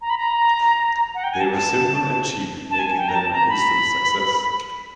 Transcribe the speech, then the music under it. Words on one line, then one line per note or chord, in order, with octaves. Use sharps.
They were simple and cheap making them an instant success.
A#5
B5
A#5
F#5
G5
G#5
A5
A5
G#5
G5
A#5
A5
A#5
B5